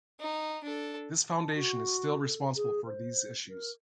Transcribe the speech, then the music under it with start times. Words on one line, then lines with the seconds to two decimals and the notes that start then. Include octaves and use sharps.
This foundation is still responsible for these issues.
0.20 D#4
0.64 D4 A4
1.32 A5
1.55 F#4
2.22 A4
2.56 G#4
2.87 C5
3.49 A#4